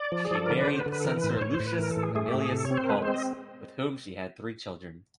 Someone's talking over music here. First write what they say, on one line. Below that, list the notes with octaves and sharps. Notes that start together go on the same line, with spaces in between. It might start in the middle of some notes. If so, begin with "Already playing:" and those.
She married the censor Lucius Aemilius Paullus, with whom she had three children.
Already playing: D5
F3
G#4
F3 A4
D3 A#4
B4
D3 C5
B4
D3
B4
A4
E3 A#4
B4
A2
C5
A2 C#5
C5
A2
B4
E3 A#4
A4
A2
G#4
A3 G#4
G4
A2
G#4
C3 A4
C#5
C4
C5
A#4
G#3 B4
C5
C4
D#5